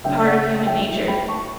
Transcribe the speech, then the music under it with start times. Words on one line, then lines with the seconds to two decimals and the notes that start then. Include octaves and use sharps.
part of human nature,
0.04 C#3 F#3 A3 D4 E5 G5
0.25 D5 F#5
0.67 E5 G5
0.87 F#3 A3 E4
1.08 G5 B5
1.28 A5 C#6